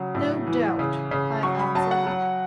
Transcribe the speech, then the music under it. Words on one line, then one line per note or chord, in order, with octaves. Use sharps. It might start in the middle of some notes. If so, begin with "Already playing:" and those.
'No doubt,' I answered.
Already playing: C#3 F#3
A2
E3
C#3
C#3
F#3 C#6
B5
F#3 A5
F#5
F#3